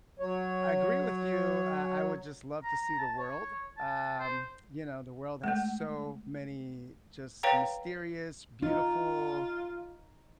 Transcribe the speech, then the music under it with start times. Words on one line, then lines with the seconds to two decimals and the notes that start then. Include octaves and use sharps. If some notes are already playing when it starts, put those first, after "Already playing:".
I agree with you, uh, I would just love to see the world, um, you know, the world has so many just mysterious, beautiful,
0.20 F#3 C#5
2.64 A#5
2.98 A5
3.18 C#5
3.77 A5
4.19 C5
5.44 G#3 A3
7.43 B4 C#5 F5 G5 A#5
8.63 D#4 F4